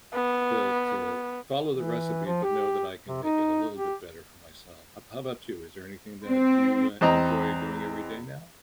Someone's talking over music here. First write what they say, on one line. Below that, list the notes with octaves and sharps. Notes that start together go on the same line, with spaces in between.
to to follow the recipe, but know that I can make it a little bit better for myself. How b how about you, is there anything that you, uh, enjoy doing every day now?
B3
E3
F3
G4
C3
D#4
G4
C4
E2 C4 D#5 A#5